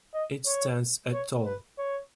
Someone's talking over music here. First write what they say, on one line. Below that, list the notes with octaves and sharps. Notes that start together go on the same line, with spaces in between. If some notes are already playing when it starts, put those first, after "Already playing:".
It stands at tall.
D#5
C#5
C#5
B4
C#5